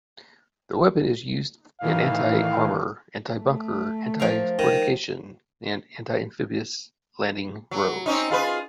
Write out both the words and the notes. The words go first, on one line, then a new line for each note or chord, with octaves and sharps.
The weapon is used in anti-armor, anti-bunker, anti-fortification and anti-amphibious landing roles.
A2 D#3 E3 F5
A3
F3 A#4 F5
D#3
F#3
C4 C#4 D#4
F4 G#4 B4